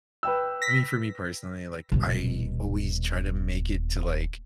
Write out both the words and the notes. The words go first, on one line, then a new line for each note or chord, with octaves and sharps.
I mean, for me personally, like, I always try to make it to, like,
B4 G5 E6
A#6 B6
D#1 B2